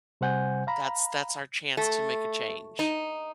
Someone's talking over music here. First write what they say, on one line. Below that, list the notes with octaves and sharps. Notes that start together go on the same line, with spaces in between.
that's that's our chance to make a change.
C3 G3 C5 F#5 G#5 G6
F5 A#5 B5
A3
D#4